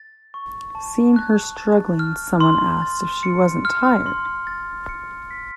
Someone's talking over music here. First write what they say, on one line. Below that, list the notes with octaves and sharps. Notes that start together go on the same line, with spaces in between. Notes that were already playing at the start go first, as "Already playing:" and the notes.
Seeing her struggling, someone asked if she wasn't tired.
Already playing: A6
C#6
A5
F#6
A6
F6
C6
A6
C#7
F6
C6
A6
C#7
B6